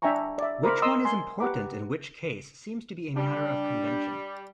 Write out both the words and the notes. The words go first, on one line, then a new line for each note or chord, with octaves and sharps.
Which one is important in which case seems to be a matter of convention.
D4 E5 G5 G#5 A#5 C#6
D5 E5
A#4 C5 B5 D6
D#5 A#5 C6 D#6 E6
G#5 C6
G4 B4 F#5 A#5 D6
G3 D4